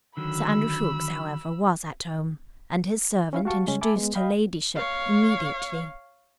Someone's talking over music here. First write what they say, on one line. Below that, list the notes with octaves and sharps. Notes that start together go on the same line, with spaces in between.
Sir Andrew Ffoulkes, however, was at home, and his servant introduced her ladyship immediately.
D3 D#3 F#3 B5 E6
C#4 E4 F5
F#4 G4 F5 A5 C#6
C#3 G#3 C#4
E5 G#5 A5 B5 D6
G#3 B3
D#5 F5 G5 B5
C#5 F5